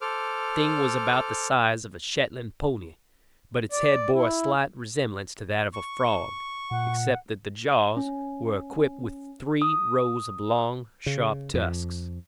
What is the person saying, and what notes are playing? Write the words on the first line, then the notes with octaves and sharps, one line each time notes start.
The thing was about the size of a Shetland pony, but its head bore a slight resemblance to that of a frog, except that the jaws were equipped with three rows of long, sharp tusks.
A4 C5 D6 F6
D5
E4
C#6
A#2 F#5
C#4
D#6
C#3
F2